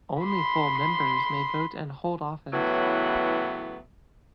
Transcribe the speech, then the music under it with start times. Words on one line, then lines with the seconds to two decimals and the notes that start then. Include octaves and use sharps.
Only Full Members may vote and hold office.
0.23 B5 C6
2.52 A2 C#3 E3 F#3 B3